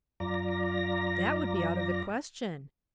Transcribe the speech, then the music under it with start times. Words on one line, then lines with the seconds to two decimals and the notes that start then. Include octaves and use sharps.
"That would be out of the question."
0.20 F#2 F4 D5 A#5 A#6